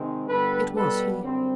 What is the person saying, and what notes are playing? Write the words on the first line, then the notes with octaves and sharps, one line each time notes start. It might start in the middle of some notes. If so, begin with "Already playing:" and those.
It was he.
Already playing: C3 D#3 G#3 C4
G2 D3 G3 B3 A4 B4
B2 G3 B3 A4 B4
F#2 D3 G3 C4